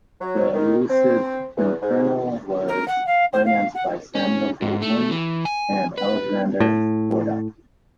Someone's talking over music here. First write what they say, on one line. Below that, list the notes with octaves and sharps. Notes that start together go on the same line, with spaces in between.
"The Elusive Pimpernel" was financed by Samuel Goldwyn and Alexander Korda.
F#3
D#3
C4
E2
G#2
A#4
F#5
F5
C5
F5
F#5
C#4
G#2
A3
E3
G#5
B4
A2